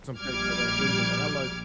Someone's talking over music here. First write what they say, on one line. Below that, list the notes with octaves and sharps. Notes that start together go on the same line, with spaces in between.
some tech for that too, 'cause, like, I like
A#1 G3 D6 F6 G#6